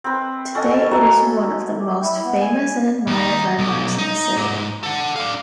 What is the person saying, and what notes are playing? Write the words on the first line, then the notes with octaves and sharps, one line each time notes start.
Today it is one of the most famous and admired landmarks in the city.
C4 B4
C#4 A4 D#5 F#5
F#3 A3
G4
E4
B3
G#5
D#2 D#4
B1
D#4
G#2
A4 F#5
D4 F5